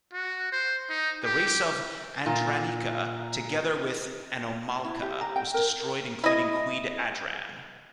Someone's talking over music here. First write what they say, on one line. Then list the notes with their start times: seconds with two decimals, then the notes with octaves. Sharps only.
The Race of Adranika together with Anomalka was destroyed including Queen Adran.
0.13 F#4
0.52 C5
0.89 D#4
1.23 G4
2.26 A#2
4.85 E4
5.02 G4
5.21 A#5
5.36 G5
5.54 A#4
6.24 E4 D#5